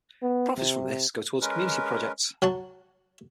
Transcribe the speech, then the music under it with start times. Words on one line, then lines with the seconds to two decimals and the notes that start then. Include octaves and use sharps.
Profits from this go towards community projects.
0.22 B3
0.58 C3
1.41 G#3 C#4 A#4 B4
2.42 F#3 F#4 A5